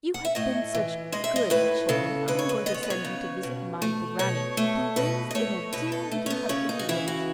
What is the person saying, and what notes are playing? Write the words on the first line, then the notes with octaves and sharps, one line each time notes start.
'You have been such good children that I am going to send you to visit my granny, who lives in a dear little hut in the wood.
F#5
E5
A2 D#5
E3
G#3 D#5
E5
D#5
A2 B4
C#3 A4
G#3 B4
C#5
B4
B3 D#5
C#5
B4
C#5
C#3
B2
A3
B2 C#5
A3
B2 B4
D#5
A3 C#5
B2 B4
A4
A3
C#4
B3
C#3 C#4
D#4
F#4
E3 E4
F#4